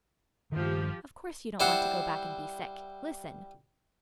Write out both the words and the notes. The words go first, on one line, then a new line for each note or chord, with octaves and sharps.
Of course you don't want to go back an' be sick! Listen!
G2 D#3 F3 G4
G3 E4 C5 F#5